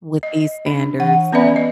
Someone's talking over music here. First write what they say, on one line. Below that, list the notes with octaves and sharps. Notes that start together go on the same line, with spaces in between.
with these standards and
D#5
D4
E3 F#5
B3 C#4 B4 D5 E5 B5
D#5